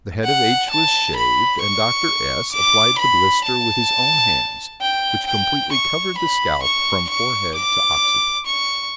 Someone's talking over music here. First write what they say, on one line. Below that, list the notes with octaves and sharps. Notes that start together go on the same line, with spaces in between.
The head of H-- was shaved, and Dr. S-- applied the blister with his own hands, which completely covered the scalp from forehead to occiput.
F#5
A5
B5
C#6
D6
B5
A5
G5
G5
C#6
B5
C#6
C#6
D6
C#6